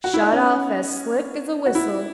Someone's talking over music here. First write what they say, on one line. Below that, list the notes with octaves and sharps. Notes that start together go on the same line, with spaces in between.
Shot off as slick as a whistle.
F#4
E4
D#4
C#4
F#4
E4